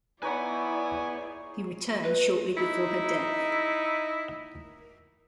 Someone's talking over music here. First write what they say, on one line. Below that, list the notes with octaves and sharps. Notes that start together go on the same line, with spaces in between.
He returned shortly before her death.
D#4 E4 B4 C#5 D5 F#5 G#5 C6
B4
D#4 E4